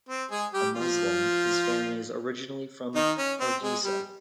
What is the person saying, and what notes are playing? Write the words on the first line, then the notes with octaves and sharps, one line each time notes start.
A Muslim, his family is originally from Hargeisa.
C4
G#3 G#4
G3 G4
F3 F4
D#3 D#4
C#4
C4
G#3
G3